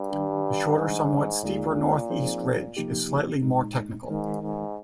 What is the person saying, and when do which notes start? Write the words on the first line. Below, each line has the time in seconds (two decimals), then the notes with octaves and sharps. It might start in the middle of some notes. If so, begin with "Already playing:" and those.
The shorter, somewhat steeper north east ridge is slightly more technical.
Already playing: G2
0.10 D#3 G3 D4 G4
0.77 G#2 D#3 G3 D4
1.43 D#2 A#2 D3 G#3 D#4 G#4
2.10 F3 C4 D#4 G#4 C5
2.77 C3 F3 A#3 D#4 G4
3.42 A#2 G#3 D#4
4.09 G#2 D#3 G#3 D#4 A#4
4.43 G#2